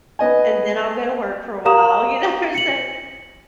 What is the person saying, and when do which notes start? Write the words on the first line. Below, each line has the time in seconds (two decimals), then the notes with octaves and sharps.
and then I'll go to work for a while, you know, so
0.19 B3 D#5 G#5
1.65 G4 A#4 F5 A#5 D#6 E7
2.55 C#7 F#7